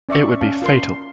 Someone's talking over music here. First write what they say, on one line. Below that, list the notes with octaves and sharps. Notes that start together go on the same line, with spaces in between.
It would be fatal.
C#4 D5 E5 C#6
C#4 F5 A5
F4 A#4 C6